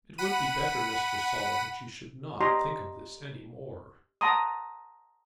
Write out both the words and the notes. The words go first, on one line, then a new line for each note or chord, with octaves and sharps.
"It would be better, Mr. Saul, that you should not think of this any more."
F#5 B5 D#7
G4 D#5 A#5 C6
F#5 A5 A#5 C6 D#6